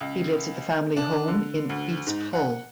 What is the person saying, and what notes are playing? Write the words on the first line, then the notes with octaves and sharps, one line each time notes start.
He lives at the family home in East Hull.
C#2
D4
D3
D2
G#2
F#5